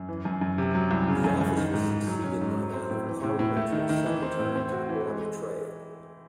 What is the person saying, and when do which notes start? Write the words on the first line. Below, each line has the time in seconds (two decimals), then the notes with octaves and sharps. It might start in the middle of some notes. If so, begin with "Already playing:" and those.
The office was succeeded by that of Parliamentary Secretary to the Board of Trade.
Already playing: F#2
0.09 E3
0.25 F#2
0.42 F#2
0.58 C3
0.75 F#3
0.91 C2
1.08 C#3
1.24 F#2
1.41 F#2
1.58 D#3
1.74 G#2
1.91 G#2
2.07 F#3
2.24 C#4
2.41 G#2
2.58 F#3
2.74 C4
2.90 A2
3.07 E3
3.24 A2
3.39 A2
3.57 A3
3.72 D#3
3.89 D#3
4.06 E3
4.22 C4
4.39 A2
4.56 C4
4.72 F#4
4.89 E3
5.05 G#3